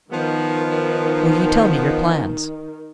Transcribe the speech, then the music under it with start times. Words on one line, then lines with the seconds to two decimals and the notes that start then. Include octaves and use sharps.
"Will you tell me your plans?"
0.12 D#3 F3 B3